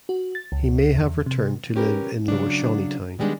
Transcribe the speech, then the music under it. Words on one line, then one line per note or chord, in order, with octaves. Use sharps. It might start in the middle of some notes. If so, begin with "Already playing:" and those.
He may have returned to live in Lower Shawneetown.
F#4
A6
C#2
E2
C3
C#4 G4 A#4 B4
C#3 F#3 D4
D#3 G3 G#3 B3 D4